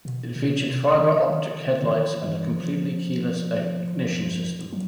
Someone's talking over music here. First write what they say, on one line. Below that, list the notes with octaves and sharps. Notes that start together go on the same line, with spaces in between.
It featured fiber optic headlights and a completely keyless ignition system.
B2
B2
C3
D#3
D#3
D3
E3
D#3
E3
F3
F#3